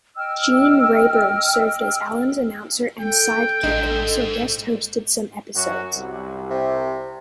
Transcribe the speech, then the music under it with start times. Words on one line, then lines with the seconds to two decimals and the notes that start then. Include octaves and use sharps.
Gene Rayburn served as Allen's announcer and sidekick and also guest-hosted some episodes.
0.17 D#5 G5 E6 F6
3.00 A4 G5
3.64 A1 G#2 D4 D#5
5.55 F#2 F#4
5.95 C2
6.51 C3